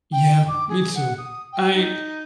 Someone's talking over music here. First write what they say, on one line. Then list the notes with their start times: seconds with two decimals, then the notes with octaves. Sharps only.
Yeah, me too. I
0.12 G5
0.48 D6
0.69 G#4
0.95 F#5
1.18 D#6
1.52 G5
1.73 D#4